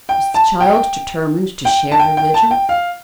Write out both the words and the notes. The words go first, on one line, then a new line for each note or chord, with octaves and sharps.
Was the child determined to share her vigil?
G5
A5
G5
G5
A5
G5
G5
A5
G5
F5